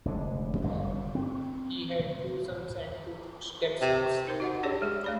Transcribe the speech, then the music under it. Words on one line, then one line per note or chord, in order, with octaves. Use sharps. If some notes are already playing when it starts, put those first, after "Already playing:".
He had two sons and two stepsons.
F1 G2 D3 G#3
G1 F#2
C4
C3
D#4 A#4 C5
F#4 D#5 F#5
D4 G4 G#4 C#5 D5
G#3 G#4
A3 D5 B5